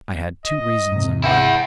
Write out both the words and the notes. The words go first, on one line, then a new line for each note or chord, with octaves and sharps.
I had two reasons in mind.
D#5
G#2 C3
E4 F#5 G5